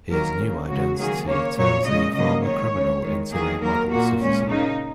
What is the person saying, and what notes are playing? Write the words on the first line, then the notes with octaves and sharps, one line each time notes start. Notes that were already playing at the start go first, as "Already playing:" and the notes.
His new identity turns the former criminal into a model citizen.
D#3 F#3 A#3 A#4
C#3 A#3
C#3 G#3 F#4
D#3 F#3 A#3 G#4
C#3 A#3 C#5
A#2 F#3 A#3 C#5
C#3 G#3 D#5
C#3 F#3 A#3 D#5
D#3 G#3 C#5
C#3 G#3
D#3 G#3
D#3 F#3 A#3 G#4
D#3 F#3 A#3 A#4
A#2 A#3 F#4
A#2 G#3 C#4
C#3 A#3 D#4